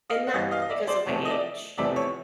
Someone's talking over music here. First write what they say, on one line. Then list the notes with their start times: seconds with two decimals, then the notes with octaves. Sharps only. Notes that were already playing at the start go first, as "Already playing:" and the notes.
and not just because of my age.
0.10 D#5 F5
0.27 F#5
0.34 G2 E3 G3 B3 D#5 F5
0.51 D#5 F5
0.62 D#5
0.69 D5 E5
0.87 C5 D5
1.06 E2 C3 F3 A3 C#5
1.25 D#5
1.30 D5 E5
1.77 E2 C3 F3 A3 D5 E5
1.96 C#5